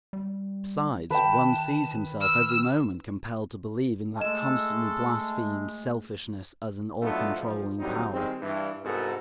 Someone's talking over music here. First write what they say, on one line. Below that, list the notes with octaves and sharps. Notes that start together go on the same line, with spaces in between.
Besides, one sees himself every moment compelled to believe in that constantly-blasphemed selfishness as an all-controlling power.
G3
D#3 B4 G5 A5
E6 F6
G#3 A3 A4 D#5 E7
F#3 A3 B3 D4 D#4 F4
B1 F3
D2 F#3 G3 C4 D#4
D#3 G3 G#3 C4
G2 E3
C2 G#2 B3 F#4 A4 A#4